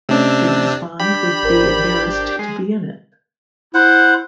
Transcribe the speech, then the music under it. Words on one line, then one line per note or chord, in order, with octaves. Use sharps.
James Bond would be embarrassed to be in it.
C3 A3 C#4 D4 D#5 E6
D4 G4 G5 B5
G#1 A#4 C5
G#3 C7
E4 C5 F#5